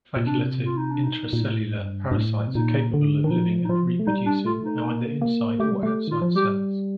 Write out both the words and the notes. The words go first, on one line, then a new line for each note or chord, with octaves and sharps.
Facultative intracellular parasites are capable of living and reproducing either inside or outside cells.
A#2
C3 D4
F4
D#4
D4
D#4
A#2
A2
G2
G2
A2
C3
A#2 D#4
D3
D#3 D4
F3 D#4
D#4
F3 F4
A3
G3 D#4
D4
A3 F4
D#4
A#3
A#3
A3 G4
G3
A3 G4
D#3 F4
F3
G3 G4